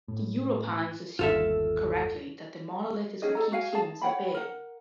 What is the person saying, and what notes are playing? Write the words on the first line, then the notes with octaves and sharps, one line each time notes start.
The Europans assume, correctly, that the Monolith is what keeps humans at bay.
A2
G1 D#2 F4 A4 E5
C#4 D#4 G#4 D#5
D#4 A4 A#5
F#4 F5 G#5
G#4 A5
C#5 F#5 G5 B5
A#4 F#5